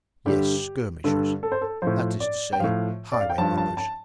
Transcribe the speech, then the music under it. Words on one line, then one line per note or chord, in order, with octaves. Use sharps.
"Yes, skirmishers; that is to say, highway robbers."
G2 D3 G3 G4
G2 D3 G3 A4
A4
C5
A4
A2 F3 C5
D5
G5
A2 F3 F5
D5
F5
G5
G2 F3 A5
A5
A5